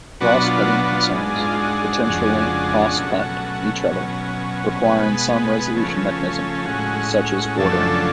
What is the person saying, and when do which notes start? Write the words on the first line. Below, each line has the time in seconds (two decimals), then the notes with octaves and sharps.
Cross-cutting concerns potentially cross-cut each other, requiring some resolution mechanism, such as ordering.
0.21 B2 F#3 B3 D4 F#4
0.43 F4
0.66 F#4
0.84 F#4
0.90 F4
1.13 G#2 G#3 D4
1.35 F4
1.59 F#4
1.82 F#4
2.04 F2 C#3 G#3 D4 F#4
2.97 B2 F#3 A3 C#4
3.89 B2 F#3 C#4
4.81 B2 G#3 B3
5.73 C#3 F3 A3 C#4
6.65 A2 G#3 C#4 F#4
7.12 F#4
7.58 F#2 C#3 F3 A3 D4 A4